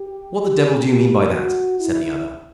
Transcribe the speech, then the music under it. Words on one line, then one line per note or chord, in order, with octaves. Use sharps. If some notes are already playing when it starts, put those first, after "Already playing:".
"What the devil do you mean by that?" said the other.
Already playing: G4
G4
G4
F#4
E4